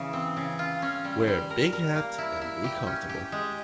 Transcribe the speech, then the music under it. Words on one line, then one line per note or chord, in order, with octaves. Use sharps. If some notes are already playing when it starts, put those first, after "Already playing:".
Wear a big hat, and be comfortable!
Already playing: C#3 E3
C4
C#3
F4
C#4
G3
G3
A#4
A#4
A#3
E4
E4
G4
C#4
G4
G#3